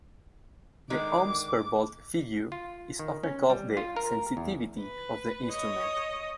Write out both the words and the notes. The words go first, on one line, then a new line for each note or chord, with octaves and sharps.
The ohms per volt figure is often called the "sensitivity" of the instrument.
D3 D#3 G#3 D6
F4
D#3
C#4
G3
F4
A#4
E2
B4
C#5 D#5